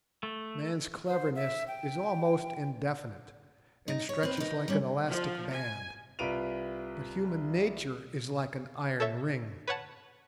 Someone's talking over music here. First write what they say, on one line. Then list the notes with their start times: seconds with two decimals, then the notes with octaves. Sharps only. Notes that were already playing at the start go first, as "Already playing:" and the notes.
Man's cleverness is almost indefinite, and stretches like an elastic band, but human nature is like an iron ring.
0.23 A3
1.07 C5
1.35 E5
1.68 G5
3.88 D#4
4.09 C#5
4.23 C4 B4
4.37 D#3 D#4
4.68 G3 C#4
5.09 F3
5.52 G#5
6.19 C2 F4 B4 D7 D#7 F7
9.00 A4 C#5 E5
9.68 B4 C#5 F#5 A5